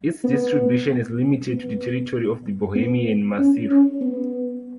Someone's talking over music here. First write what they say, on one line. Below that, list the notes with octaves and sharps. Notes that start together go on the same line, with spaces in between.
Its distribution is limited to the territory of the Bohemian Massif.
B3
B3
B3
C#4
C#4
B3